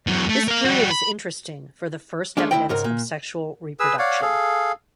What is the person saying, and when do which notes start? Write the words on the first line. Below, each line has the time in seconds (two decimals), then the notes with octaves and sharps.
This period is interesting for the first evidence of sexual reproduction.
0.07 E2 F#3
0.29 A3
0.48 A#4 F5
0.65 G3 F#4
0.91 B5
2.37 G#3 A3 C#4 D4
2.51 D2 E4 G5
2.69 C#2 G#2 A#4
2.84 A#2
3.80 G#4 B4 E6
3.99 C#5 D5 F5 F#5
4.22 G#4 A4 F5